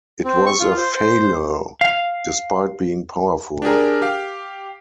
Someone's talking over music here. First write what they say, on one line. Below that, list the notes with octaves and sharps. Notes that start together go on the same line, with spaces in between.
It was a failure despite being powerful.
C4
C#6
F4
C5
C5
F5
D4 G4 G#4 A#4
G4 F5